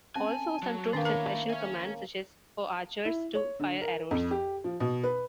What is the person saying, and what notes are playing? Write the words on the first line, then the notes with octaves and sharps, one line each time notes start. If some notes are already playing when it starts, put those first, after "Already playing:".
Also, some troops have special commands, such as for archers to fire arrows.
C4 C#4 G#5 A5
F#3 F#4
D#3 A#3 C#4 D4 G#4 G5
E4 A#4 C#5 F5 A#5
C#5 E5 G#5
E4
C#5
D3
A#4
F2
G4
F3
B2
B4